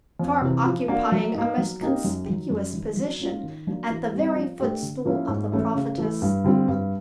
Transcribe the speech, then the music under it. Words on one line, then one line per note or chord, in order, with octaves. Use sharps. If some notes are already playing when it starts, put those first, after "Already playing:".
Sharp occupying a most conspicuous position at the very footstool of the Prophetess.
F2
C3 E3
F3
A#3 D4 F#4 A#4
F#3
A#3 D#4
F#3
A#3 D#4 G4 A#4
F#2
D#3 F#3
F#2
D#3 F#3
F#3
A#3 C#4 F4
D#3
F#3 A#3 D4
E3
G3 C4
F3
A3 D4 G4
D3
F3 A#3 C#4 E4
G#2
E3 A3 C#4 E4
C#3
E3 A3
G2
D3 G3 C4 F4
G2